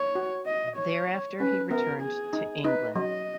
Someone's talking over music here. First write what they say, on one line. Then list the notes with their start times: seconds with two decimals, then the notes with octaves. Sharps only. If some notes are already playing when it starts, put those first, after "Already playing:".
Thereafter, he returned to England.
Already playing: C#5
0.15 F#4
0.46 D#5
0.77 C#5
1.39 C#4 B4
1.71 B3 A#4
2.02 G#4
2.33 D#4
2.64 D#4 B4
2.95 F#3 D#5